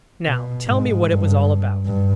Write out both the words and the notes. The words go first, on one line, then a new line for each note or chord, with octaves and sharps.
"Now tell me what it was all about."
B2
G#2
G2
G2